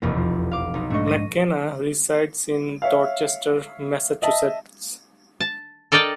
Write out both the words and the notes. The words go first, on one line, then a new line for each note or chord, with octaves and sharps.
McKenna resides in Dorchester, Massachusetts.
F1 B1 E2 A#3
F3
F5 D6
B1 D#4
G#2 A3 D4 D#5 C#6
A#6 D#7
C#5 E5 F5
D#5 E5 A5
A5
A4 A#4 D5 D#5 G5 A5